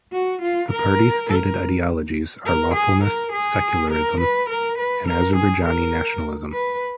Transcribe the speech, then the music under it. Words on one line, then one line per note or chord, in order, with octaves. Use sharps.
The party's stated ideologies are lawfulness, secularism, and Azerbaijani nationalism.
F#4
F4
A#4
A#4
A#4
G#4
A#4
G#4
A#4
B4
A#4
B4
A#4
G#4
A#4
B4